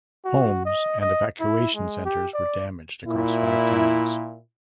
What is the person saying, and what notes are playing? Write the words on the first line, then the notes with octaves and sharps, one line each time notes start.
Homes and evacuation centers were damaged across five towns.
F#4
D#5
D#5
E4
G#3
G4
D5
A#2 E4